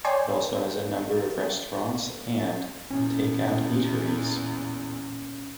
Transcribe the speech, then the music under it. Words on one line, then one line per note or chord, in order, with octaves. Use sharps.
It also has a number of restaurants and take-out eateries.
C#5 D5 G5 G#5 C6
E2 A#2 C#4